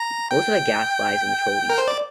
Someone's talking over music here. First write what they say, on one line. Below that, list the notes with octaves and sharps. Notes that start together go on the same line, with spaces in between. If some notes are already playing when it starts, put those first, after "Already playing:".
Most of the gas lies in Troll East.
Already playing: A#5
G5
A#4
C5
D5